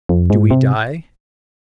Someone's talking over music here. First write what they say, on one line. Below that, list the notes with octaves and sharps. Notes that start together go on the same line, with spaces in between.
Do we die?
F2
G#2
C3